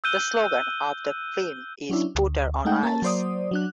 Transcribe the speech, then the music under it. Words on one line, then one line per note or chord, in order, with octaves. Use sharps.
The slogan of the film is Putter on Ice.
E6 F#6 G6 D#7 G7
F#3 C#4 D4 E4
D2
G#3 A3 D#4 F#5 G5
A#3 C#4 A5
F#3 A#3 C5 D5 D#6
F#3 D4 F#6